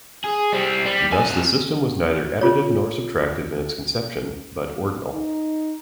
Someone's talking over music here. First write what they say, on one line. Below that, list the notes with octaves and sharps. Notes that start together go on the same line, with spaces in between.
Thus the system was neither additive nor subtractive in its conception, but "ordinal".
G#4
G3 C4
G3
F2 G#5
F4 C#5
D#4